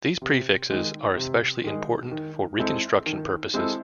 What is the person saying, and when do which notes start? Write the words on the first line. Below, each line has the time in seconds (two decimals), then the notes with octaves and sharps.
These prefixes are especially important for reconstruction purposes.
0.22 C3
0.70 D#3 G#3
1.17 C3
1.64 D#3 G#3
2.12 D#3
2.59 G#3 C4 E4 A4
3.06 D#3
3.54 G#3 C4 E4 A4